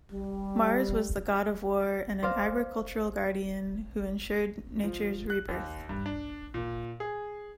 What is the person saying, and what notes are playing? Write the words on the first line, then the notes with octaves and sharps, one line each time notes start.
Mars was the god of war and an agricultural guardian, who ensured nature's rebirth.
G3
C5 D5 F5 A#6
F3
F#6
D#2
G2
D4
A#2
G#4